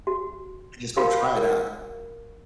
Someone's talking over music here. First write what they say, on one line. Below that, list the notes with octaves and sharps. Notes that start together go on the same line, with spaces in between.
just go try it out.
F#4
D#4 F4 F#4 A#4 F5 B5
A#4